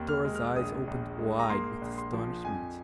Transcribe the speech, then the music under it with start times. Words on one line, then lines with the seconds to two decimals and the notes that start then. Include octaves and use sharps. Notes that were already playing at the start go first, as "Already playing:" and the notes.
Dora's eyes opened wide with astonishment.
Already playing: D#2 C4
0.09 F6
0.25 G#3
0.35 F6
0.56 A#1 D#6
0.87 A#1
1.19 G#3
1.39 A#5
1.50 A#3 C6
1.82 A#1
1.98 C6
2.13 F3
2.45 F2 G#5